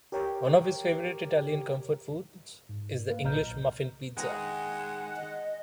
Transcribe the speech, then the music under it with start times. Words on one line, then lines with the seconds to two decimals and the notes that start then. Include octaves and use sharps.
One of his favorite Italian comfort foods is the English muffin pizza.
0.12 G4 A#4 C#5 G5 A#5
2.69 G#2
3.11 A#3 B4 F5
3.24 B1 A#2 D#5 A#5 F6 G6
4.17 D#3 G#3 G#4 F#5 A#5
5.17 D#5